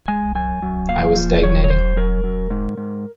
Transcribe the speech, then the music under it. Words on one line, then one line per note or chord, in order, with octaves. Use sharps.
I was stagnating.
G#3 G#5
F#2 G#5
F#2
A#2 F5
F3
F#2 C#5
C#5
F#2 C5
F#2 A#4
F#2
G#2
G#2